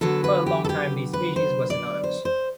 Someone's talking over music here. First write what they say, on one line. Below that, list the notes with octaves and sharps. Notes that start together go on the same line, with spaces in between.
For a long time these species were synonymous.
D3 F#3 B3 A4
B4
G4
A4
G4
B4
C5
D5
C5
C5